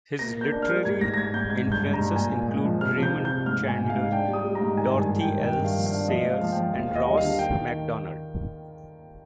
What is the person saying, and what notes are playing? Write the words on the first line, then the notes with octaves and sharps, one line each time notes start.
His literary influences include Raymond Chandler, Dorothy L. Sayers, and Ross Macdonald.
A#3 A#6
A#3
G6
D4
F6
G3
G#2 G#6
G#2 A#6
A#6
G#2 G#6
G#2 G6
G#3 G#6
G2 G6
G#3
A#5
G2
A#2 G#5
A#2
G#3
F3
C3 F6
F3
G6
C3
G6
C3
G#2 F6
G#2
G#5
G#2
F5
G#2
D4 G5
G3
D#6
G3
A#5
G#2
D#3 G#5
G2
G#5
G3
G5
D#3
G2 G5
G2
F5
F3
F5
D4
F3 D#5
G#3
F5
F3
F3 G5
D#2 F5
D#2
D#5
G3
F5
D3
D#3 G5
D#3